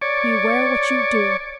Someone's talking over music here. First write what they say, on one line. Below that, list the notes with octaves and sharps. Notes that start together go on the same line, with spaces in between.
Beware what you do.
C#5 D5